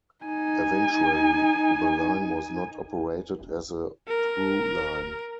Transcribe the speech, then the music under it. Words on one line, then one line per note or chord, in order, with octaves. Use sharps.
Eventually, the line was not operated as a through line.
D#4 G#5
A#4